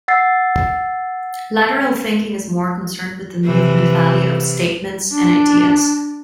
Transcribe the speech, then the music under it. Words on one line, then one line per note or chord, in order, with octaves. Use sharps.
Lateral thinking is more concerned with the "movement value" of statements and ideas.
F#5 E6 A6 C7
C3 E3
D4